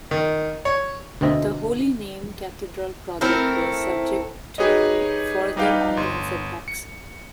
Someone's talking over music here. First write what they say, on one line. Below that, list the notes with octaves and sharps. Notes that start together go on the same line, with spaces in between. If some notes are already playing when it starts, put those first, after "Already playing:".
The Holy Name Cathedral project was subject to further ongoing setbacks.
D#3
C#5
D2 B2 C4 D#5 E5
A3 C4 E4 A#4
D#4 G4 G#4 B4 C#5 D#5
G3 D#4 G4 B4 F5 G5
G1 C6
C#7